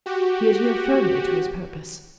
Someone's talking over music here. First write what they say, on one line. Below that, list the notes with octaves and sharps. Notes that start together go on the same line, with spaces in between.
He adhered firmly to his purpose.
F#4 G4